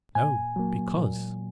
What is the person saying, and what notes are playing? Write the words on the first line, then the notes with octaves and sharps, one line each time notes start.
No, because.
A#2 G#5
F#3 A#3
A#2